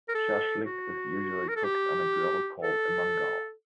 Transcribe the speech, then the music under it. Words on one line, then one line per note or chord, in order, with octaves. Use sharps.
Shashlik is usually cooked on a grill called a "mangal".
A#4
A4
F#4
A#4
A4
G4
A4